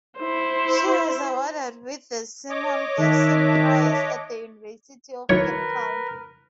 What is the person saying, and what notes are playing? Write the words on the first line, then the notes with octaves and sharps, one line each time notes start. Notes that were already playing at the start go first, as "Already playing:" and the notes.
She was awarded with the Simon Gerson Prize at the University of Cape Town.
E4 C5
C#5 D#5 D6
D#3 E5 A5 F#6
D#3 F#3 E4 A#4 B4 C#5